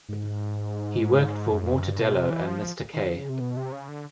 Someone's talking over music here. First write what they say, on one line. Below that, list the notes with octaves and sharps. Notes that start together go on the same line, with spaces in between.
He worked for "Mortadelo" and "Mister K".
G#2
F#2
F2
F#2
G2
B2
C3
E3
F3
D#3
D3
C#3
C3
B2
C3
C#3
D3